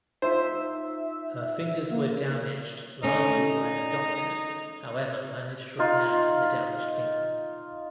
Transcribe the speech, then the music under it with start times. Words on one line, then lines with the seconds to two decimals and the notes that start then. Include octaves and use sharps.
Her fingers were damaged largely where doctors however managed to repair the damaged fingers.
0.22 D#4 F4 C5 E5
1.90 A#3
3.03 A3 C#4 D#4
5.79 D#4 F4